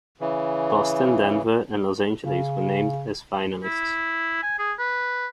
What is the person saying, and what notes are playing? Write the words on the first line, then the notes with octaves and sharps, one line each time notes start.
Boston, Denver and Los Angeles were named as finalists.
C#3 E3
C#3
E4
G#5
G#4
B4